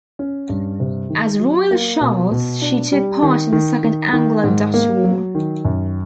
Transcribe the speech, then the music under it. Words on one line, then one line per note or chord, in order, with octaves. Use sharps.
As "Royal Charles" she took part in the Second Anglo-Dutch War.
C#4
G2
C3
D#3
F#3
A#3
B2
B2
D4
G3
D#3
D#3
D#3
D#3
G#2
A#3
F#3
D#3
F#2